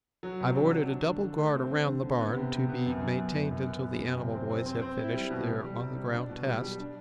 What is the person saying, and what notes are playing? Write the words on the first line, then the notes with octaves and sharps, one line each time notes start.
I've ordered a double guard around the barn, to be maintained until the animal boys have finished their on-the-ground tests.
F#3
C3
D4
F#3
D4
D3
D3
A3
C4
D3
D3
D3
B3
C3
C3
B3
F#2
F#2
B3
F#2
F#2
B3
B3
F#2
C3
C4
C4
C4
C4
E4
G3
B2
G3
G3
C3
G3
D4
B2
G3
G3
D4